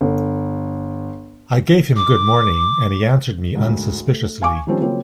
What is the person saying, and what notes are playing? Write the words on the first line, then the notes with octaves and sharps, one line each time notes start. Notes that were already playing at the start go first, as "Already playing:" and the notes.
I gave him good morning and he answered me unsuspiciously.
G1
D6
D2 G#2
A3
F5 G#5 C#6 D6
D#3 F3 G3 C4 C#4
C#3 F#3 A#3 C4 F4 A#4